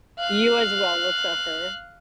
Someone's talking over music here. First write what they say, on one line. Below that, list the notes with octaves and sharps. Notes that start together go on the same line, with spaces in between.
You as well will suffer.
F5 F#6